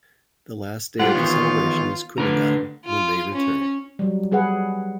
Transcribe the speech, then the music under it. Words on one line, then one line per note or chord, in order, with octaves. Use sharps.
The last day of the celebration is Kuningan, when they return.
G#2 G3 F4 G4 A4 F#5
D#3 E3 B3 C#5
A2 D3 B4 A#5
F4
C#4
F#3 G3
G3 G#4 B4 F#5